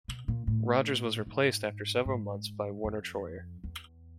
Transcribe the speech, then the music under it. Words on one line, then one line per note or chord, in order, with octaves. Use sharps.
Rogers was replaced after several months by Warner Troyer.
B2
A#2
A2
G#2
G#2
F2
E2